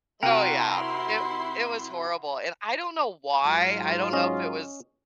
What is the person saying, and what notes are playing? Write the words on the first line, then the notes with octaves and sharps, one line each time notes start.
Oh yeah, it it was horrible, and I don't know why, I don't know if it was,
C3 E4 F#4 A#4 F#5 G5 C6
G#2 F#3 F4
C#4 D#5